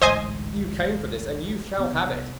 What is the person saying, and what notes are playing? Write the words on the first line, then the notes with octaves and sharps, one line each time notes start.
You came for this, and you shall have it!
A1 D2 G#2 C5 D#5 G#5
C2 B3